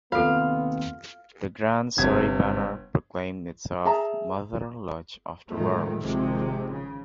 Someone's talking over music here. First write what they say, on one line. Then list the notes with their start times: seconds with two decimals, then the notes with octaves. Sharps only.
The 'Grand Surrey Banner' proclaimed itself "Mother Lodge of the World".
0.12 D#2 C3 B3 F4 A4 C5 F5
1.98 G1 C3 G#6
3.85 G#4 E5 A5 A#5
5.50 A1 F2 D#3 F3 G#3 A3
6.01 G#1 C3 D#3 F3 G#3
6.71 C#3